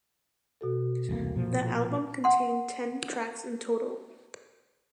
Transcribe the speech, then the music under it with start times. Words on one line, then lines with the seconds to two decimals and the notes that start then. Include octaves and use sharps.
The album contained ten tracks in total.
0.61 B2 F#4 A4
1.09 E1 C2 A#3
1.36 A#2 F3
2.24 F#5 C6